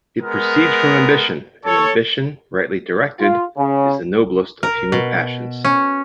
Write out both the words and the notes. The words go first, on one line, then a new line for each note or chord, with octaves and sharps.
It proceeds from ambition; and ambition, rightly directed, is the noblest of human passions.
G#3 B3 A#4
A4 C#5
F4
C#3
A#4
B2
C#4